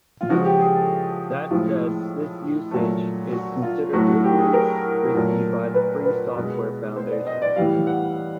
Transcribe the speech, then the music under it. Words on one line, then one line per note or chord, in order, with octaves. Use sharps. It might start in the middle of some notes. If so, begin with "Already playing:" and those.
That said, this usage is considered legally risky by the Free Software Foundation.
F4
C#3 F3 G#3 F#4
G4
G#4
A4
A2 F3 G#3 F4
A#2 F#3 A3
F#4
F4
A2 F#3 A3 F#4
F#4
G4
G#4
A#4
A#2 F#3 A3
B4
B4
B2 G#3
C5
D5
D#5
D5
A2 E3 G3 F5
F#5